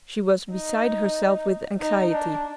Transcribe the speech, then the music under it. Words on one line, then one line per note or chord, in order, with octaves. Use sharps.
She was beside herself with anxiety.
D#4
D#4
D4